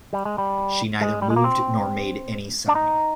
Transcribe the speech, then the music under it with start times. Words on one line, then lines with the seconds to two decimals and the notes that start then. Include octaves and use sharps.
She neither moved nor made any sign.
0.13 G3
0.25 G#3
0.38 G3
1.01 G#3
1.22 G3
1.30 G#3
1.36 A#3
1.44 C4
2.68 D4
2.75 D#4